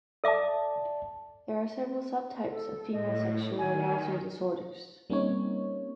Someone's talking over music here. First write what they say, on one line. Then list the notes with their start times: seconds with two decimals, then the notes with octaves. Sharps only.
There are several subtypes of female sexual arousal disorders.
0.24 A4 D5 E5 A5 D6
2.51 A4
2.92 A2 D#5
3.58 D#3 G#5
5.10 G3 A#3 C4 C#4 D#4 C#5